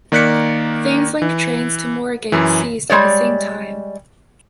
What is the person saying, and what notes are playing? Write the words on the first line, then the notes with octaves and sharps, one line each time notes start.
Thameslink trains to Moorgate ceased at the same time.
D#3 A#3 D5 F#6 B6 C#7
E3
F#2 E3
G3 G#3 C#5 D5